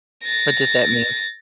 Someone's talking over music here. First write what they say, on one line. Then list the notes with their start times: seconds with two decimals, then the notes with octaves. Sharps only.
What does that mean?
0.24 A6 A#6